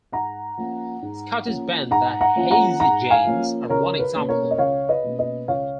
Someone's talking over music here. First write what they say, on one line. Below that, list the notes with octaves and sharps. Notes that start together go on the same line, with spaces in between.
Scottish band The Hazey Janes are one example.
G#2 F#5 A#5
F3 A#3 C#4
G#2
F3 A#3 C#4
G#2 F#5 A#5
F#5 A#5
F3 A#3 C#4
F#5 A#5
G#2 F#5 A#5
F5 G#5
F3 A#3 C#4
C#2 A#4 C#5
B4
B2 A#3 C#4
A#4 C#5
D#5
C#2 C#5 F5
B4 D#5
B2 A#3 C#4
B4 D#5
C#2 C#5 F5